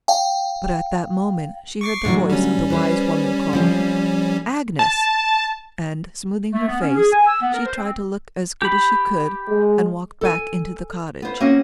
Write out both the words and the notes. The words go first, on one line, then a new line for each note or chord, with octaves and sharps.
But at that moment, she heard the voice of the wise woman calling, "Agnes!" and, smoothing her face, she tried to look as good as she could, and walked back into the cottage.
F5 G5
C#6 D6 C7
A2 D3 F#3
G3 C#4
B4 C5
F3 C4 C5
A5
A3
B3
C#4
G#4
G#5
E6
B3
A#4
C5
C4
G4 B5
G#3
A4 G#5
B3 C5
A#3 C4 C#4 F#4 C5